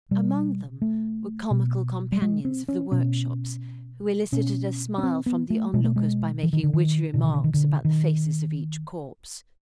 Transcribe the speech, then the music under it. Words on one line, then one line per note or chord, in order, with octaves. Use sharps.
Among them were comical companions of the workshops who elicited a smile from the onlookers by making witty remarks about the faces of each corpse.
B2 G3
A3
B2
G3
G#3
C4
C#4
B2 C#4
B2 C#4
C#4
C4
B3
A3
B2 G#3
A3
G#3
E3
D#3
D3
D#3
B2 D3
D#3
D3
D#3
D3
D#3